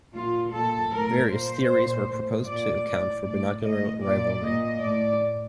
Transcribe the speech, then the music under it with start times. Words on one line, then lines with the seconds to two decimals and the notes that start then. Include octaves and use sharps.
Various theories were proposed to account for binocular rivalry.
0.15 A#2 F4
0.53 A#2 A4
0.92 A2 A#4
1.31 A#2 C5
1.70 A#2
2.08 A2
2.47 A#2 D5
2.86 A2 D5
3.25 A2 D5
3.63 A2 D#5
4.02 A#2 D5
4.41 A#2 D#5
4.80 A2 D5